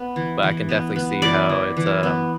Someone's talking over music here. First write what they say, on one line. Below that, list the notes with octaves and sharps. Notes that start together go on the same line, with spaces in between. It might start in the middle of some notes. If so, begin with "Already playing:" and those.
but I can definitely see how it's, um,
Already playing: B3
E3
E3
B3
B3
E3 D5
E3
E3
B3